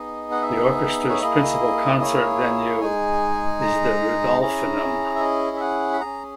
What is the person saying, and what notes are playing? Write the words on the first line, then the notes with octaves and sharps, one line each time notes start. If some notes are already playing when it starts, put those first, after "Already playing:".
The orchestra's principal concert venue is the Rudolfinum.
Already playing: B3 D#4 G#4 D#5
F#5
E5
C#5
A#3 E4 G#4 D#5
C#5
G#3 D#4 G#4 G#5
A#5
C#4 E4 G#4 A#5
E5
D#5
E5
F#5
B5
C#4 G#4 A#5